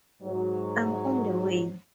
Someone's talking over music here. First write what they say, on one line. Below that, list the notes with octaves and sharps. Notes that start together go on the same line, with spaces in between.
I'm on the way.
G#2 F#3